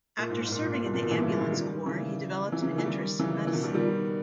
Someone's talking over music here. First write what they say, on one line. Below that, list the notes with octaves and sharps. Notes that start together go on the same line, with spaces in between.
After serving in the ambulance corps, he developed an interest in medicine.
A#2
G#2
A#2
G#2
A#2
G#2
A#2
G#2 B2
A#2 C#3
B2 D#3
C#3 E3
D#3 G3
E3 G#3
E3 G#3
D#3 G3
C#3 E3
C#3 E3
C#3
D#3
E3
D#3 G3
C#3 E3
E3
B2 D#3
D#3 G3
D#3 G3